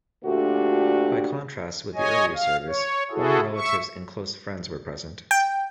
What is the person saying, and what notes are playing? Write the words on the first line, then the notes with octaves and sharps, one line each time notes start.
By contrast with the earlier service, only relatives and close friends were present.
D2 A#2 A3 D4 F#4 G4
C#5 D#5 G#5
F5
C#5
E4 F#4 G#4 A4
E5 C#6
G5